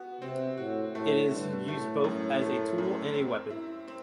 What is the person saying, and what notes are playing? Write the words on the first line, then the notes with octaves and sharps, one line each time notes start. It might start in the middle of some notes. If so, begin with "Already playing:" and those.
It is used both as a tool and a weapon.
Already playing: B3 F#4
C3 C4
A2 F#4
A2 A3
G2 D3
A2 A3
F#2
A3
F#2
C4
E4
C4